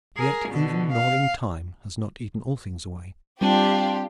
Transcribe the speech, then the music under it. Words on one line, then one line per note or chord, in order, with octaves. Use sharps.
And yet even gnawing Time has not eaten all things away.
G#4 A#4
B2 D3
F5
G3 C4 D4 F4 G4